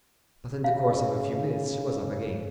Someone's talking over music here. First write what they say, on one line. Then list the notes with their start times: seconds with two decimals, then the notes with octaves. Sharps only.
But in the course of a few minutes she was up again.
0.64 C#3 E5 F5